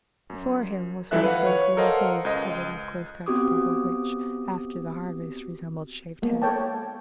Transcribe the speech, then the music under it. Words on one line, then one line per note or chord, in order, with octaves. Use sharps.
Before him was one of those low hills covered with close-cut stubble, which, after the harvest, resemble shaved heads.
F#2
C#2 E3 F3 A4 E5 F#6
B4 F5 F#5
C#5
A4 A#4 C5 D#5 F5 F#5
C#2 D#5
B3 C4 F#4 G4 D6 D#6
G#3 A#3 B3
A4 C#5 G5 A5